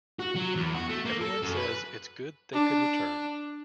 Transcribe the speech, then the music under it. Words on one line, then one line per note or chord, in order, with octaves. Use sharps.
Everyone says it's good they could return.
F#4
F#3
E2
F#4
A3
A#3
A4
F#2
B4
D4